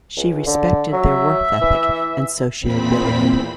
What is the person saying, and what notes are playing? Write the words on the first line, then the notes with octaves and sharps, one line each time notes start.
She respected their work ethic and sociability.
C#2
D3
F#3 E5
E3
E2 A#2 C4 B5 B6